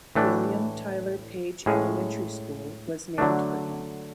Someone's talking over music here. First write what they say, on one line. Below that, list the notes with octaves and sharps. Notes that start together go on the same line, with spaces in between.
William Tyler Page Elementary School was named for him.
A2 E3 A3 D4
A2 G#3 C#4 G#4
D3 F#3 A3 D4